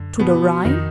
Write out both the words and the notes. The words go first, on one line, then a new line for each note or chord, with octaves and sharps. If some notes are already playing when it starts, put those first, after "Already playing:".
To the Rhine?
Already playing: F#2 D3
B2 B3
F2 D#3 D#4